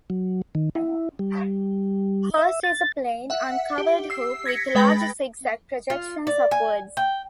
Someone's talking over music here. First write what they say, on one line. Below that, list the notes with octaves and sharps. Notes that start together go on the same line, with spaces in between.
Hers is a plain uncovered hoop with large zig-zag projections upwards.
F#3
D#3
E4
G3
E5
A6
E5 F#5
G4
E6 C7
G#6 A#6 B6 C#7
G#3 B4 G5 B5 A6 A#6
F4
D5
G#5
G5